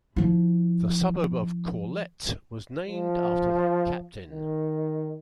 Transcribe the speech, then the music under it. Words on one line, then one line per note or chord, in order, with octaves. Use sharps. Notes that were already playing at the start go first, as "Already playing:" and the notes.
The suburb of Corlette was named after the captain.
F3 E4
F3
D#3